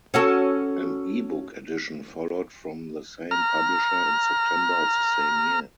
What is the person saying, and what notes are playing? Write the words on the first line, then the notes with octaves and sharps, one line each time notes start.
An ebook edition followed from the same publisher in September of the same year.
C#4 F#4 A4
A#5 F6